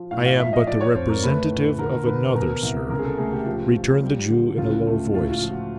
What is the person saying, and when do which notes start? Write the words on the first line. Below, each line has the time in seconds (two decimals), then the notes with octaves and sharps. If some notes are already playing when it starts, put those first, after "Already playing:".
'I am but the representative of another, sir,' returned the Jew in a low voice.
Already playing: F3
0.11 A2 F5
0.26 F5
0.39 F3 E5
0.53 D#5
0.67 F3 D5
0.81 C#5
0.95 F2 C5
1.09 A#4
1.24 A3 B4
1.51 A2
1.79 D3 A#4
2.06 D3 B4
2.34 B2 A#4
2.63 C2
2.90 C#2 A#4
2.99 G#4
3.04 A4
3.18 A3 G#4
3.32 G4
3.46 F3
3.74 F3
4.03 G3
4.29 D3
4.58 C#2 F4
4.86 A3
5.13 A2 F4
5.32 F4
5.41 F3
5.51 F#4